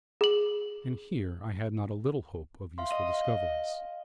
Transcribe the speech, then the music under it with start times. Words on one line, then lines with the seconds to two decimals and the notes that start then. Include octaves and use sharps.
And here I had not a little hope of useful discoveries.
0.21 G#4 F#7
2.78 E5 F5 C6
2.92 D#5
3.13 F5